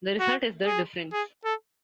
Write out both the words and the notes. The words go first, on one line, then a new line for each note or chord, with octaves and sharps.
The result is the "difference".
F#4
G#4
G#4
A4